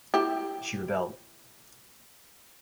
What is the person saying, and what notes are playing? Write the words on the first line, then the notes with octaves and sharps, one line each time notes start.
She rebelled.
E4 G4